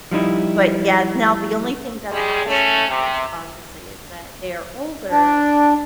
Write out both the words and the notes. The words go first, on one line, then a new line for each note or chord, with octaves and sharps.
But yeah, now the only thing that has changed, obviously, is that they're older.
F3 G3 D#4 E4
G3 G#3 G#4
A3 C#4
C3
D4